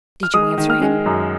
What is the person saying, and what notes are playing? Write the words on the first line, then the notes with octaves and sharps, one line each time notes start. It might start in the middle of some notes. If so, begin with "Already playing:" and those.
"Did you answer him?"
F6
G#3 D#6
D#3
F6
G#3
F#2